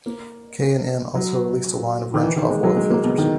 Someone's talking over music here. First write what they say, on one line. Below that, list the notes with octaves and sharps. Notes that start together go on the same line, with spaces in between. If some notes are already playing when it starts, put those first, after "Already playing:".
K and N also released a line of Wrench-Off oil filters.
A#3
F#3
D#3
E3
D#3
G#3
F#3
G#3
A#3
B2
D#3